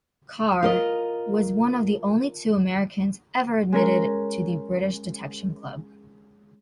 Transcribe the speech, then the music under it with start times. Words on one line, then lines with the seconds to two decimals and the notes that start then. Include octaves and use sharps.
Carr was one of only two Americans ever admitted to the British Detection Club.
0.63 F4 A#4 D#5
3.72 G#3 C#4 A#4